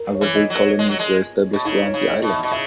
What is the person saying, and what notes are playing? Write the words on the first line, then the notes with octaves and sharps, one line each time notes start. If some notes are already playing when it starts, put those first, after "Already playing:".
Other Greek colonies were established around the island.
Already playing: A#4
C#5
E3
D#5
F#3
C#5
G#3
F#3
G#3
B2
C#3 D#4
C#5
C#3
D#5
B2
E5
B2
C#3 E5